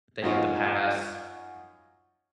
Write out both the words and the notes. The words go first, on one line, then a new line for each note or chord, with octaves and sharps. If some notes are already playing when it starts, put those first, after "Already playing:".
thing of the past.
F#2 D#4 F4 C#6